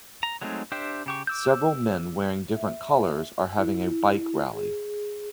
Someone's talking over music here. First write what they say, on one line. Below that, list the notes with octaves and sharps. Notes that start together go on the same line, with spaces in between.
Several men wearing different colors are having a bike rally.
A#5
F#3 G#3 A3 C4 D#4
D4 G4 C5 E5 G5
C#3 G4 C#6
D6 E6 G6
E5
E4
G#4